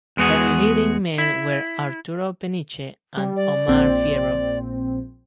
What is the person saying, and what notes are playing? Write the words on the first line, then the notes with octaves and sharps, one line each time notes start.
Her leading men were Arturo Peniche and Omar Fierro.
E2 G#3 B3 F#4 G#4
E4
G3
D5
A#1 C4